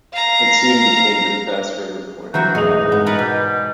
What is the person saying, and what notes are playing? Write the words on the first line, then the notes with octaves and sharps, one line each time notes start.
It soon became the best river port in Morocco.
F5 A#5
E3 F#3 C4 F#4 A#5 G6
E1 A2 D#4 G#4 D#5 F7
G#2 B3
A#4 B4 D5 F#5
B2 G3